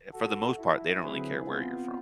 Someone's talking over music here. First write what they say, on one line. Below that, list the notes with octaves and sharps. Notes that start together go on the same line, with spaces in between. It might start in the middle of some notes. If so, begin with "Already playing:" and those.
for the most part, they don't really care where you're from.
F#4 A4
E4
D3 F#3 C4 E4 G#4 B4
B3 C4 F4